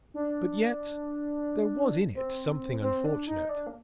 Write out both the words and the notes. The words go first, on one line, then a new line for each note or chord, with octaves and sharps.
But yet there was in it something unfortunate.
D4
C4
C4
D4
D#4
D4
A#3